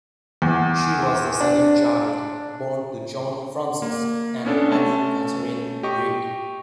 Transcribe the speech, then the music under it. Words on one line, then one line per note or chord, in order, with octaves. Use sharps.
She was the second child born to John Francis and Annie Catherine Reid.
E2
D4
A#3
B3 C#4 D4 A4
A3 C#4 A5
G4 D#5 C#6